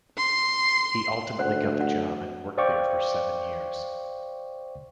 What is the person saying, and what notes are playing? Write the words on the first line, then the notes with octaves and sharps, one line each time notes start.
He ultimately got the job and worked there for seven years.
C6
D2 C5 F#5
F#5
C5 D5 F5 G5 C#6 D6